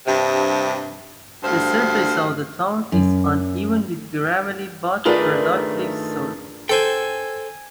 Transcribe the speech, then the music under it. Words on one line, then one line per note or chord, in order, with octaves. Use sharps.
The surface of the town is uneven with gravelly but productive soil.
G2 C3
D2 G2 C5 F5
F#2
D#3 A3 D4 F4 G#4 A#4 B4 D5
A4 C5 G5 G#5